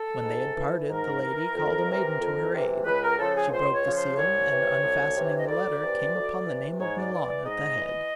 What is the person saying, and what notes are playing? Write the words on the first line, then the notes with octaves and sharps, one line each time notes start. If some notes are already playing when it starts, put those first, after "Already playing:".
When they had parted the lady called a maiden to her aid. She broke the seal, and unfastening the letter, came upon the name of Milon at the head.
Already playing: A4
G#2
E3
G#2 A#4
E3
F2
C3 E3
F2
C3 E3
C#2 B4
A#4
C#3 F3 A4
G#4
C#2 C5
C#5
C#3 F3
C5
C2 C#5
C3 E3
C2
C3 E3
D#5
D2 D5
C3 E3
D2
C3 E3
G#2 C#5
D5
E3 D5
D5
G#2 D#5
E3